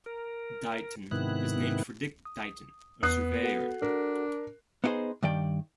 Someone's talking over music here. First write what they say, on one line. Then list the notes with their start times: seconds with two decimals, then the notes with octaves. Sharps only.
Dighton is named for Dick Dighton, a surveyor.
0.06 A#4
1.11 G#2 C3 D#3 B3 E4 F#6
2.25 D#6
3.03 E2 B3 D#6 F#6 C7
3.43 F#4 A4 F#5
3.82 D4 A#4
4.84 B3 D#4 E4 G#4 C5
5.23 G2 D#3 D5 G5